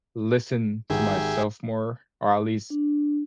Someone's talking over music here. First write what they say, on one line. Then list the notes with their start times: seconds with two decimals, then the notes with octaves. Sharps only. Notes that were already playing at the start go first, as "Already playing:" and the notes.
listen to myself more, or at least
0.90 G#1 G4 G#4 E5
2.70 D4